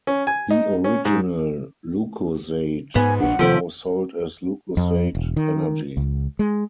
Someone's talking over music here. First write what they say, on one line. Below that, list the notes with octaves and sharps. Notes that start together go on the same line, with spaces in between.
The original Lucozade is now sold as Lucozade Energy.
C#4
G#5
D#4
C#4
G#2
G#2 B3 G#5
A#1 D4 F#5
D#2 C3 F3 F4 A4 C5
F2
E1
D#3
C#2
G#3